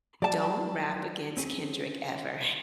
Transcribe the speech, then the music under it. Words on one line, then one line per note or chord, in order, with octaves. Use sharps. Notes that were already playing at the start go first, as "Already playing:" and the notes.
Don't Rap Against Kendrick Ever.
F#3 D5 A5
C4 C#4 G#4